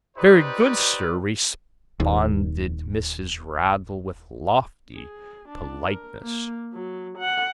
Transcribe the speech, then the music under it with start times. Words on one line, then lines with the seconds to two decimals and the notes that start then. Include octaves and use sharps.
'Very good, Sir,' responded Mrs. Raddle, with lofty politeness.
0.17 D#4 G4 B4 C5 D5
2.00 D#1 D#2
4.96 G#4
5.49 D4
5.82 A#4
6.22 A#3
6.73 F#3
7.18 F#5